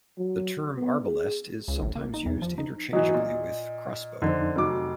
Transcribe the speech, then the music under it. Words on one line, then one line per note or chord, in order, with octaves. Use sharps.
The term "arbalest" is sometimes used interchangeably with "crossbow".
F#3
B3
G#4
C#2
A1
A#3
D#4
E2
F3
D#4
E3 F#3 D#5
A#2
F2 D3 C4 D#4
F1 F#3 D6